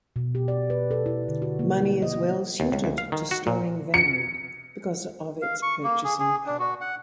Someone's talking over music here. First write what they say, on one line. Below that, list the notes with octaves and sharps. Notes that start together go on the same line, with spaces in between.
Money is well-suited to storing value because of its purchasing power.
B2
G4
D5
B4
A4
E4
D3
F#4
A#3
E4
D#5
B3
D#2
C#2
D2
F5
D#3
F#4
A#2
C#7
F5
C#6
A#3
G#4
G#4
D4
F#4
F#5